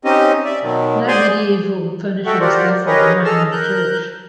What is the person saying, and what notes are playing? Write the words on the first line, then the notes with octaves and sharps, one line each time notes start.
No medieval furnishings therefore remain in the church.
C4 C#4 D#4 G4 D#5
D5 E5
B2 D#3 F#3
G#4 C5 D5 G#5 C6
G#3 F#4 A4 E5 F#5 G5
F4 G4 A#4 C5 D5 F#5
G4 G#4 A#4 B4 C#5 D#5
G#4 A4 D#5 A5 E6 F6
A#4 F#6 G6